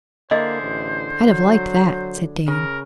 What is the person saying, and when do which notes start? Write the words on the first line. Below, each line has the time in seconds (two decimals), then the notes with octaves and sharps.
'I'd have liked that!' said Dan.
0.31 D3 A#3 E4 G#4 C5 D#5
0.62 A1
1.27 F#3
2.48 C#3 A#4